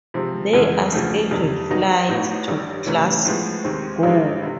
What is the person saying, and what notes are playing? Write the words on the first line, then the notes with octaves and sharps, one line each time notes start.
There are scheduled flights to Glasgow.
C3 F3 G#3 C4
F2 C#3 E3 G#3 B3
D2 C#3 F3 A3
F2 C3 E3 G3
D#2 D#3 F#3 B3 D#4
A1 A2 F#3 B3 D#4
A1 G2 E3 G3
C#2 C3 E3 A3 C#4
A2 F3 G#3 B3
D#2 D#3 G#3 C4
A1 G2 E3 G#3
C3